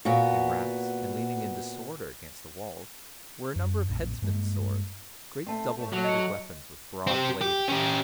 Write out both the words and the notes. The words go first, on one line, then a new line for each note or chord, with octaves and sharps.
In racks, and leaning in disorder against the walls, were a number of headsmen's swords, great double-handed weapons with broad blade and keen edge.
A#2 B3 F#4
F#2
A#1 F2 A2
G2 G#3 A#3
A3 C4
A3 C#5 A5
F#3
D#5 C#7
C4 G4
G4
C#4 G4